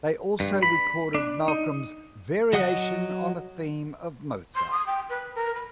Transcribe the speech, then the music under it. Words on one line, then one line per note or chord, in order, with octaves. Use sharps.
They also recorded Malcolm's "Variations on a Theme of Mozart".
G2
B5
D4
D#4
F#3 D#5 F#5 D#6 F#6
C6
D#6
G5
B4
A#4
B5